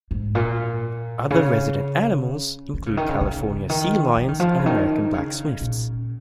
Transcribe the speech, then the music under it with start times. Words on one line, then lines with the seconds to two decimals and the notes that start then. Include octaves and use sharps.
Other resident animals include California sea lions and American black swifts.
0.11 G#2
0.35 A#2
1.31 C#3
2.74 D#3
2.86 C#3
2.97 D#3
3.09 C#3
3.21 C#3
3.69 D#3
4.17 F3
4.28 D#3
4.40 F3
4.59 C#3
4.66 D#3
5.14 C#3
5.61 A#2